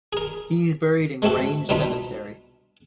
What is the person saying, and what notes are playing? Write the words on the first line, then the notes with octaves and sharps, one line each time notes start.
He is buried in Grange Cemetery.
G#4 A#4
G#3 A3 C4 F#4 A4
C2 B2 D4 D#4 F4 B5